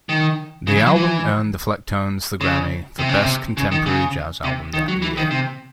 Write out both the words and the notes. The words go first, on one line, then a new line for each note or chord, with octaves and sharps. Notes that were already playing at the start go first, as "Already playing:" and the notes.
The album earned the Flecktones the Grammy for Best Contemporary Jazz Album that year.
D#3
C#3
E3
F#3
E3
C#3
C3
C#3
C3
C#3
D#3
C#3
C3
D#3
F#3
E3
D#3
C3